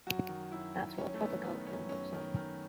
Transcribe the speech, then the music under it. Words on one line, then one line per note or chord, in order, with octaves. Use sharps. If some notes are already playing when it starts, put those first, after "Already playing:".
That's what a proper cult film looks like.
F#2 F#4
D#3
F#2 E4
D#3
F#2 C#4
A3
D#3 B3
D#3 B3
F#2 C#4
F#2 C#4
D#3
D#3